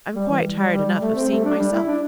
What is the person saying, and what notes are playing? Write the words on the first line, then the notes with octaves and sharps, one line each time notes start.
I am quite tired enough of seeing myself.'
G3
E3
G3
G3
G3
G3
A3
C4
A3
D4
G3
E4
D4